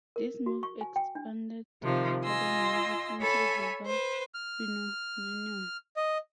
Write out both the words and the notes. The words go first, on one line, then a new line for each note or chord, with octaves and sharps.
This move expanded urban music into a global phenomenon.
A#4
F#4
C#6
G#5
G5
D4
C3 D#3 F3
F4 D#5 G#5 C6 E6 A#6
A4 C#5 E5 G#5 B5
B4 C5
F6
D#5